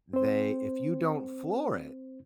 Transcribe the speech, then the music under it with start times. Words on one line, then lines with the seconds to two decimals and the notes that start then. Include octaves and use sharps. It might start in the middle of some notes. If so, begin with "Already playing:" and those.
they if you don't floor it
0.13 C4 C5